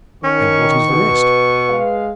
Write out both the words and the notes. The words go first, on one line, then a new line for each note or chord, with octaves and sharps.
"And what is the rest?"
D#3 C#4 C#6
B2 B4
G#3 F5